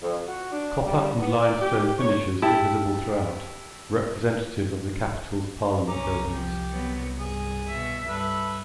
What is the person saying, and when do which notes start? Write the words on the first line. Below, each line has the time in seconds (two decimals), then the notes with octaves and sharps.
Copper and limestone finishes are visible throughout, representative of the capital's Parliament Buildings.
0.02 F2
0.27 F#4
0.51 D4
0.85 G3
1.19 B3
1.40 D5
1.61 G4
1.98 C#5
2.42 E4 G4 A5
5.88 C2 F#3 C#4 A#5 D6
6.29 F3 G4
6.72 F#3 B3
7.19 G2 G#4
7.68 B2 E5
8.06 G2 A4 B4 E5